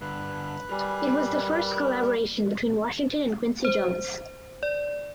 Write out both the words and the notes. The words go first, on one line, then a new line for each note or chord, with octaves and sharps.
It was the first collaboration between Washington and Quincy Jones.
G2 D3 B4 F#6
G3 A#4 G#5
C5
D5